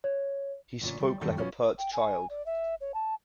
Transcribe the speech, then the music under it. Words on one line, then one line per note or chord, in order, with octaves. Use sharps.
He spoke like a pert child.
C#5
D2 A#2 C#4
G3
F#2 D#3 G3 F#4 A4 G5
B2 F#3 C#4 F4 F#4
G5
G#5
D5
E5
C#5
A5